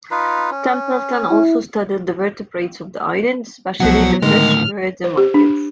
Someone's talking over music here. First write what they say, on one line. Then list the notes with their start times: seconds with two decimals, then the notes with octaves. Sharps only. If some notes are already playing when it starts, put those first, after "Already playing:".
Templeton also studied the vertebrates of the island, especially the fish, birds and monkeys.
0.11 D#4 F4 B4
0.51 C#4
1.30 E4
3.80 C2 B2 F3 F#3 F#5
4.22 D2 A2 D#3 G#3 A#3 F6
5.04 C5
5.17 G4
5.34 D4